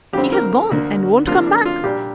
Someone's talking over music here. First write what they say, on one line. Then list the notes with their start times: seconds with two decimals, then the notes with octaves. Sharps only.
He has gone, and won't come back!
0.13 F2 D3 G3 C4 G4
0.32 A#4
0.70 D2 D3 A#3
1.27 C3 F3 A#3 D4 F4
1.46 D4
1.65 F4
1.84 A#2 G3 D4 G4